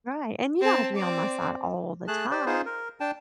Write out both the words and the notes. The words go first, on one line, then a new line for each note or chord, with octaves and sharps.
Right, and you don't have to be on my side all the time,
C4 A5
C4 D5
A3 G#4 A5 F#6
G4 C5 D5
D#4 F4 G#4 C5
A#4
D4 G5 A5